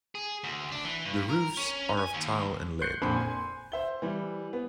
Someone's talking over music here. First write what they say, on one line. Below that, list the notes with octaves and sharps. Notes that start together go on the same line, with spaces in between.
The roofs are of tile and lead.
G#4
D2
D4
E3
G2
A#4
C#4
G#5
D#2
F#6 G6 C7 C#7
F2 A#2 D3 C5 B5 C6
G#5 C6
C5 E5 G7
E3 G3
B3